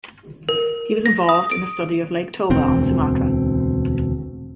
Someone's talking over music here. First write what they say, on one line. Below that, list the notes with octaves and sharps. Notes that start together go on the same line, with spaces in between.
He was involved in a study of Lake Toba on Sumatra.
A#4
A#6
D#6
D7
E1 D2 C4